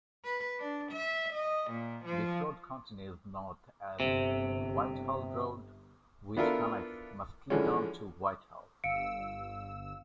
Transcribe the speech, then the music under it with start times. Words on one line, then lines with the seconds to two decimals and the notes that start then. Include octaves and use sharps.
This road continues north as Whitehall Road, which connects Muskegon to Whitehall.
0.25 B4
0.59 D4
0.92 E5
1.33 D#5
1.71 A#2
2.05 F3
4.00 G1 C3
6.37 B3 D4 E4 F4 A4 A#4
7.50 D3 E3 F3 G#3 C#4
8.84 G1 F5 E6 C#7 D7